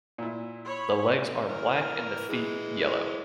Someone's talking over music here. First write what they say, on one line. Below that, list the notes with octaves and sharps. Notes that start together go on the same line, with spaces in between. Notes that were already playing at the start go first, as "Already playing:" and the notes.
The legs are black and the feet yellow.
A#2 E4
C#5 B5
E3 A#4
E3 G#3